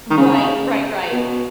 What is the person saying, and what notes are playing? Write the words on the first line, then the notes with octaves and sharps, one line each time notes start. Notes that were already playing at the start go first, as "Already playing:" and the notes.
Right, right, right.
D#3
C#3
B2